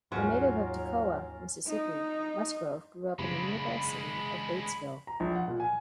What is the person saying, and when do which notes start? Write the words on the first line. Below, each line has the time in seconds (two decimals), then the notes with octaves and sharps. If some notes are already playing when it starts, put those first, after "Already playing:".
A native of Tocowa, Mississippi, Musgrove grew up in the nearby city of Batesville.
0.12 D#2 G#2 F#3 C#4 F4 A#4
1.67 D#4
3.19 F#1 G#3 D4 B5
5.07 A#5
5.20 A#1
5.36 F#5
5.48 A#2
5.60 G#5